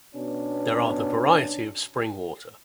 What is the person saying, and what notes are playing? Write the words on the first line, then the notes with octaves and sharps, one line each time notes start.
There are the variety of spring water.
B2 B3 C#4 D4